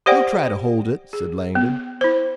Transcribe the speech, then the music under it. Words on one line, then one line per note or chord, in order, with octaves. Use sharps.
"He'll try to hold it," said Langdon.
G4 C5 D5 F#5 G5
G#4
B3
E4 C5